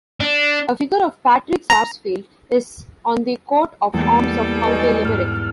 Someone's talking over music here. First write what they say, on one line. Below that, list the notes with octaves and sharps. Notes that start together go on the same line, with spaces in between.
A figure of Patrick Sarsfield is on the coat of arms of County Limerick.
D4
A#5
E2 G3 G#3 A#3 A4 A#6
B4 D#5 G#5 C#6 G6 A#6
G#2 F6 C7